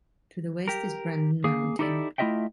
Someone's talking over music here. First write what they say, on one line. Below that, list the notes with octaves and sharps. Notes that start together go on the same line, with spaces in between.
To the west is Brandon Mountain.
G4 A#4
A#3 G#4
D#4 E4 G4 A4 C5 D5
A3 E4 F4 D#5 E5 G5